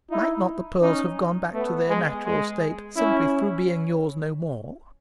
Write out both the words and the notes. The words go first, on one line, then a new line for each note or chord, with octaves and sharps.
Might not the pearls have gone back to their natural state simply through being yours no more?
D#4 E4
C#4 D#4
A3 B3
G#3
G#3
C#4 E4